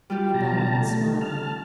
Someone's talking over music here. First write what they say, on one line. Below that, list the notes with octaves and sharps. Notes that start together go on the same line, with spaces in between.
He bowed and smiled.
G3 F4 G4
B2 A5 A#5
A3
A5 F6